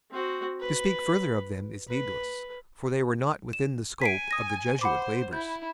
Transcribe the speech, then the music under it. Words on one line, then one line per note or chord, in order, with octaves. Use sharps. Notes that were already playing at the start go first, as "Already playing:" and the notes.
To speak further of them is needless, for they were not within the scope of the Jesuit labors.
C4 F#4
B4
B4
E7
G#5 B6 C7 D7
D#6 A#6
C5 F#5 B5 D6
E4 G6